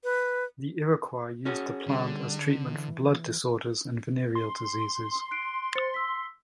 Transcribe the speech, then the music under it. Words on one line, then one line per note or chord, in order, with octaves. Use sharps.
The Iroquois used the plant as treatment for blood disorders and venereal diseases.
B4
C#4 F#4 G#4
D3 G3
E3
C6
F#6 C7 D7
C5 A6 C#7
E6 B6